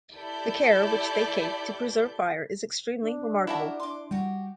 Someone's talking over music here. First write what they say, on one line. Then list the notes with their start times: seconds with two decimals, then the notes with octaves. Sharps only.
The care which they cake to preserve fire is extremely remarkable.
0.14 E4 G4 A4 D5 D6 G6
3.01 D4
3.47 E4 F#4 G4 A#4 E5 A5
3.80 C6 D6
4.11 G3 F#4 G4 G5